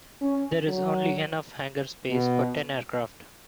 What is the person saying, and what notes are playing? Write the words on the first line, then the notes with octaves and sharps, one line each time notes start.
There is only enough hangar space for ten aircraft.
C#4
F#3
B2